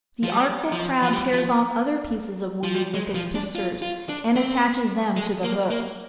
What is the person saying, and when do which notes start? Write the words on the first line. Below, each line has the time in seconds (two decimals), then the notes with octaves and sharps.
The artful Crab tears off other pieces of weed with its pincers, and attaches them to the hooks.
0.23 F3
0.33 G3
0.72 F3
1.03 F3
1.13 G3
1.33 F3
2.64 F3
2.74 G3
2.94 G#3
3.15 F3
3.35 D4
3.55 F4
3.82 F4
4.09 D4
4.36 C4
5.17 G#3
5.44 A#3
5.71 A#3